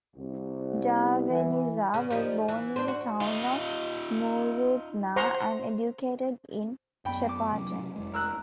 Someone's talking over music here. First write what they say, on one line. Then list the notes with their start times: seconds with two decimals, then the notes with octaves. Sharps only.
Darveniza was born in the town of Mooroopna and educated in Shepparton.
0.16 C2
1.30 E3
1.94 C#3
2.10 F3 G3 D#4
2.48 E3
2.76 C4 D4
2.88 F#4
3.21 D#4 F4
5.16 C5 F#5 A#5 C6 C#6
7.05 F#2 B3 G5 B5
7.29 D6
7.52 C3 F#3 C#4
7.96 F1 G#3
8.13 A#4 E6 F#6